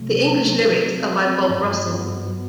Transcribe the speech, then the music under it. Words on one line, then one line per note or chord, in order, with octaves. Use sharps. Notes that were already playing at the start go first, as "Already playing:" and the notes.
The English lyrics are by Bob Russell.
Already playing: C3 F#3 A3
C3
F#3 A3
F#3
C4 F#4
F#3
C4 F#4
G2
F#3 B3 F#4
G2
F#3 B3 F#4